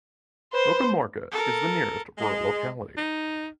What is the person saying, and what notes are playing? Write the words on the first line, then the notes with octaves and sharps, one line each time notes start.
Mukhomorka is the nearest rural locality.
B4 C5
A4 A#4
G#3
D#4